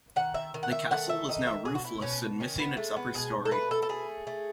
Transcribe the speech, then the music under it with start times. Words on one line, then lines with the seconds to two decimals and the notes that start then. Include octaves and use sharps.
The castle is now roofless and missing its upper storey.
0.16 D#3 F#5
0.34 E5
0.54 D#3
0.63 F#5
0.72 E5
0.91 A3 F#5
1.09 E5
1.29 D#3 D#5
1.47 E5
1.65 B2 G#4
1.75 F#4
1.84 E4
2.02 B2 C#4
2.40 D#3 C#4
2.59 B3
2.77 G#3 A3
2.96 B3
3.14 B2 G#4
3.45 A4
3.51 A3 B4
3.71 A4
3.83 A4
3.89 A3 G#4
4.27 A3